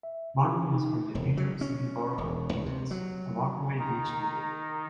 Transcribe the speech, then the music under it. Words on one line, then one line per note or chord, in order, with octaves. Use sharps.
Martin was from the New York City borough of Queens, a Rockaway Beach native.
E5
C#4
D#4
E1
F#3
C#4
E1
C#2
C3
F#3
D#3 D#4 A#5